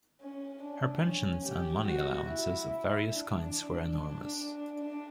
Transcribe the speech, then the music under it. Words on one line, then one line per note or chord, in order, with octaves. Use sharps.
Her pensions and money allowances of various kinds were enormous.
C#4
D4
C#4
G4
F#4
E4
D4
D4
D4